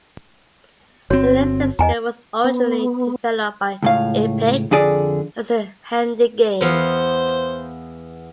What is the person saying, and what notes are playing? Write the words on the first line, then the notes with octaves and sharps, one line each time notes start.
The Lynx system was originally developed by Epyx as the Handy Game.
G1 C4 F#4 C#5
E2 D#5 G#5 A#5
B3
C#2 A2 F5
F2 D3 G#4 D5
E2 B3 C5 F5